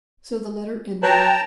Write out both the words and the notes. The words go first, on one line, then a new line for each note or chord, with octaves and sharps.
So the letter ended.
F#3 B4 G5 A5 A#5